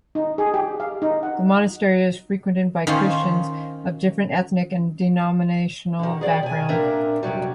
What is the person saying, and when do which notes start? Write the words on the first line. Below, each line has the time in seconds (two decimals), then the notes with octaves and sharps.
The monastery is frequented by Christians of different ethnic and denominational backgrounds.
0.15 D#4
0.38 G#4
0.54 G4
0.80 F5
1.02 D#4
1.23 F#5
2.87 D#3 C#4 F4 C5
5.99 D3 D#3
6.21 G#4 D5 F#5 G5
6.43 C3 G#5
6.68 A#2 A#3 C4 D4 A#4 E5
7.23 F2 C3 F#3 G3